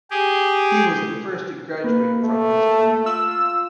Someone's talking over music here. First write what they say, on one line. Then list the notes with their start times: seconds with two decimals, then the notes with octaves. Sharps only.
He was the first graduate from his village.
0.11 G4 G#4
1.84 A#3 B4
2.23 A3
3.06 F4 E6